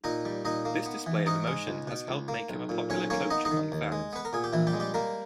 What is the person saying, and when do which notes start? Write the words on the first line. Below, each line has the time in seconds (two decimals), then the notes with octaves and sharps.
This display of emotion has helped make him a popular coach among fans.
0.04 A#2 D#4 D#5
0.25 G3
0.45 A#2 D#4 D#5
0.65 A#3
0.86 B3
1.06 E3
1.26 G#2 D#4 D#5
1.47 G#3
1.68 C#2
1.87 B2
2.08 C#2
2.28 A#3
2.49 B1
2.69 A#2
2.90 B1 C#4 C#5
3.10 A#3 C#4 C#5
3.30 B3 D#4 D#5
3.45 D#4 D#5
3.51 D#3
3.72 D#2
3.92 G#3
4.13 B3 B4
4.25 A#4
4.33 A#2 G#4
4.44 G4
4.53 A#1 E3 E4
4.67 G3 G4
4.73 G#3
4.80 G3 G4
4.94 G3 A#3 A#4